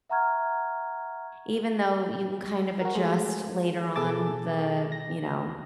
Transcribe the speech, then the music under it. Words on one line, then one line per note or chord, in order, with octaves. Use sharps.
even though you can, kind of adjust later on the you know,
E5 F#5 A#5 C#6 F6 G#6
F#4 A#4
G#3 A3 G#4 C5
B2 G#4 A4 A5 D6 A6
A#6